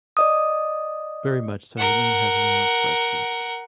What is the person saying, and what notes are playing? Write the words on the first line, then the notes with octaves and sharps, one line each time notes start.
very much so, we lean heavily on spreadsheets.
D5 D#5 D#6
A#4 F#5